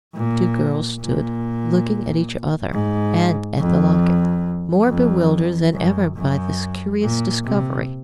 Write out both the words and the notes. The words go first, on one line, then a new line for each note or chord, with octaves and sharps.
The two girls stood looking at each other and at the locket, more bewildered than ever by this curious discovery.
A#2
A#2
G#2
F2
F2
F#2
F#2
A#2
C3